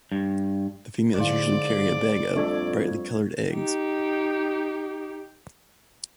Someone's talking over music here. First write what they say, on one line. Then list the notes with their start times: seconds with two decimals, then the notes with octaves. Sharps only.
The females usually carry a bag of brightly colored eggs.
0.12 G2
1.18 G#2 D3 E4 D5 F5
2.36 F2 G3 A3 D4 A4 C#6 G#6
3.52 D#4 G4